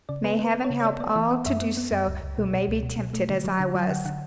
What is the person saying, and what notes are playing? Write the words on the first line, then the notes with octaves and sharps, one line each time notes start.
"May heaven help all to do so who may be tempted as I was."
C#3 D5
B3 B4
B3
B4
B3
C#5
C#3
C#5
B3 D5
B3 D5
E3 E5
B3 F#5
F#2 E5
B3
B3
F#2
C#2
C#2
B2
B2
C#2
B2
B2
A3
D3
F#3
D3
F#3
G5
D3 F#5
D3 F#5